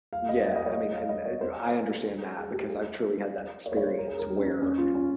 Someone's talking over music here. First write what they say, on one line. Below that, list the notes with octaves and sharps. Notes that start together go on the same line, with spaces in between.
Yeah, I mean, and, uh, you I understand that because I've truly had that experience where,
F5
D#5
D#5
D#5
C#5
D#5
F5
D#5
C#5
C5
G#4
G4
G#4
C#5
C5
C#5
C5
A#4
G#4
A#4
G4
C#4
D#4
C#4
F4
C#4